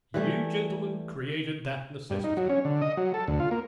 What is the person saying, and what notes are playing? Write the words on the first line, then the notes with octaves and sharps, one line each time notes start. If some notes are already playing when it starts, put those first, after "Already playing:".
You, gentlemen, created that necessity!
E3 G3 A3
G2
D#4
F#3
C#4
D3
D#5
F#3
A4
D2
F4
A#3